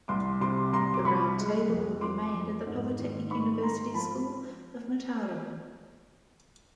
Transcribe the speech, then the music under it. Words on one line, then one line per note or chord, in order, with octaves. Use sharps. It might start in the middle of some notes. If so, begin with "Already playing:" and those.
The round table will be made at the Polytechnic University School of Mataró.
C2 C6 D6
C3 C6 D6
C2 A#5 C6
D6
C2 B5 C#6
G#3
F2
F3 C6 D6
F2
G#2
D#3
G#2 B5 C#6
G#2 A#5 C6
F3 A5 B5